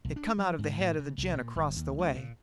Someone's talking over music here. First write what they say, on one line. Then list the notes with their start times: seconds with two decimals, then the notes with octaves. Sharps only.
It come out of the head of the gent across the way.
0.05 B1
0.16 D4
0.38 F#3
0.59 G#2
0.80 A2
0.99 C#3
1.18 C2
1.34 A#2
1.56 G1
1.76 D#2
1.99 C#2
2.15 A#2